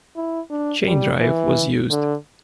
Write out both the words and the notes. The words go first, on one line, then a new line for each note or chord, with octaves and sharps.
Chain drive was used.
E4
D4
G3
E3
D3